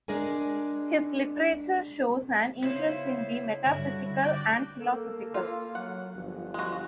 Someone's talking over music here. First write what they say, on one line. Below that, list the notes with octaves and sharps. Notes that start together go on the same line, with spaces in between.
His literature shows an interest in the metaphysical and philosophical.
G#3 D4 A#4 G#5
C#3 B3 E4 C5
G2 D3 E4 F#4
F#4 D5 G5 D6
A#3 A4
F4
F#3 F#5
G1 F3
F3 G#3 F#4